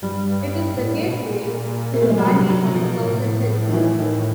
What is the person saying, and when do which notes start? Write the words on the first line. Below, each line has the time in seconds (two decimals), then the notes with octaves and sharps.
It is the gateway to the Valley of a Thousand Hills.
0.02 G2 G3
0.76 A2
1.06 B2
1.14 A#2
1.94 A#3
2.02 A3
2.10 G#3
2.18 G3
2.25 C3 F#3
2.50 C3 F#3
2.67 F#3
2.74 B2 F3
2.99 A2
3.69 D#3
3.74 E3
3.99 D#3